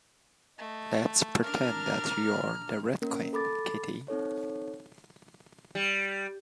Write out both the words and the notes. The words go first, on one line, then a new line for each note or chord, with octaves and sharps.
Let’s pretend that you’re the Red Queen, Kitty!
A3 D#5
D4 A#4 A#5 D6 F6
A#3 C#4 A#4
A4 B5 D6 A6
C4 D#4 A4 C#5
G3